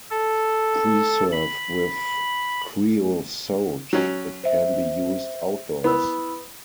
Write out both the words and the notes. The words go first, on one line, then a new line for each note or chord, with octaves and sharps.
Preserved with creosote it can be used outdoors.
A4
B5
F#3 C#4
C5 E5
B3 E4 B5 E6